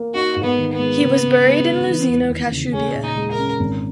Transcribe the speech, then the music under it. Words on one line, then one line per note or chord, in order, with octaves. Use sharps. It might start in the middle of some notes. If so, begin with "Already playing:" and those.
He was buried in Luzino - Kashubia.
Already playing: A#3
D#4 F#4
G#2
B3
D#3
B3
G#3
C#3
C#3
G#3
D#4
E3
E1
D#2
C#3
C#4 G#4
A#2
D#4
G#3
A#4
C#4
G#1